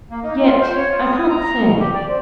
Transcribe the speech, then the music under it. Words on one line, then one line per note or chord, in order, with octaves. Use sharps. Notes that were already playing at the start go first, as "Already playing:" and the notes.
Yet, I can't say.
A#3
D#4
F4
C5
C#5
F4
D#6
A#5
B2
G4
D5
C4